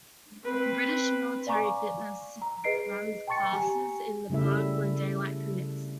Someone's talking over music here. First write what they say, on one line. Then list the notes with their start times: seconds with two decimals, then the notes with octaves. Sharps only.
British Military Fitness runs classes in the park when daylight permits.
0.45 C4 B4
1.47 D5 F5 G#5 A#5 C#6 D6
2.42 A#5
2.64 G#4 B4 D#5 C7 D7
3.27 G5 A5 C6 C#6 A6 C#7
3.53 G4 G#5 A#5
4.30 C#3 G3 A3 E4 E5